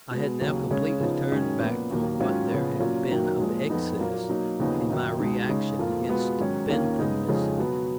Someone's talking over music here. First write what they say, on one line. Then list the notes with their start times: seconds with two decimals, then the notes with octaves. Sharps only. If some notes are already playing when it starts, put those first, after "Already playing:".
I had now completely turned back from what there had been of excess in my reaction against Benthamism.
0.11 B2 G#3 B3
0.41 D#2 C#3 F#3
0.71 C#3 G#3 C#4
1.00 C#3 F3 B3 D#4
1.31 F#2 D#3 G#3 C#4
1.60 A#2 F3 B3
1.91 D#2 D#3 F#3 A#3
2.20 G#2 D#3 F#3 C#4 F4
2.50 C#3 F3 B3
2.80 A#2 F#3 C#4 F4
3.10 F#2 D#3 F#3 A#3
3.40 A#2 F3 G#3
3.70 F2 F3 B3 D#4
3.99 A#2 F#3 A#3
4.29 B2 F#3 A#3 D#4
4.60 D#2 C#3 F3 B3 D#4
4.89 F#2 D#3 A#3 D#4
5.19 C#2 B2 G#3 D#4
5.49 C#3 G#3 D#4
5.79 F2 F3 A#3 F4
6.09 B2 G#3 B3 F4
6.39 G#2 D#3 F#3 C#4
6.68 D#2 D#3 A#3 C#4 F4
6.99 C#3 G#3 B3 D#4
7.28 F2 C#3 F3 G#3 D#4
7.58 B2 F#3 B3